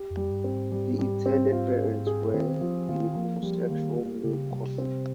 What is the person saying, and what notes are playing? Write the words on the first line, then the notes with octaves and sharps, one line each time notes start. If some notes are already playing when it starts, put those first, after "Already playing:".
The intended parents were a homosexual male couple.
Already playing: G4
F2
G3
G2
C4
G#2
G3
G3
C4
F4
G#4
G#4
D#3 C4
F3 F4
D#3 F4
F3 A#3
F3 G3
D#3 A#3
A#3
C#3 G4
C3 G3
C4